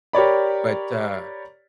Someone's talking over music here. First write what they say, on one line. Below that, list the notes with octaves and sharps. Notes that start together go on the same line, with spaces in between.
But, uh
G4 A#4 C#5 D5 B5